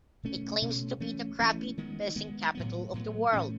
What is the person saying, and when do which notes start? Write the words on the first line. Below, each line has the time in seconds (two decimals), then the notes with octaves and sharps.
It claims to be the Crappie Fishing Capital of the World.
0.23 B2 A3 C#4
0.62 B2 A3 C#4
1.00 E3 A3 C#4
1.40 E3 A3 C#4
1.78 D#3 G#3 B3
2.16 D#3 G#3 B3
2.55 A2 F#3 B3
2.93 A2 F#3 B3
3.33 A2 E3 A3 C#4